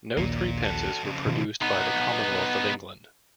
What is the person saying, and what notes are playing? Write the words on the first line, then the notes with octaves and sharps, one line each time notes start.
No threepences were produced by the Commonwealth of England.
A#1 D#2 A#2 A#3
F#4 A4
F2 C#3
B2 D#3 F3
B3 D#4